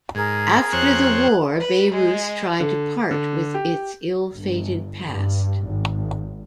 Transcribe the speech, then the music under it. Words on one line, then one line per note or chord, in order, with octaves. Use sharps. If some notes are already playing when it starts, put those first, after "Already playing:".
After the war Bayreuth tried to part with its ill-fated past.
G#2 G#4 A#4 G#6
F2 C4 C#5 F#6
B4
G#3
D3
D3
G4
G1
G2
G#1